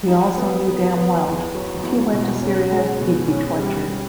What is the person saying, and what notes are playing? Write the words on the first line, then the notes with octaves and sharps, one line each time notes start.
We also knew damn well, if he went to Syria, he'd be tortured.
D#4
B3
B3
B3
E2
F#3
E2
B2
C#4
G#3
B2
C#4
G3
G3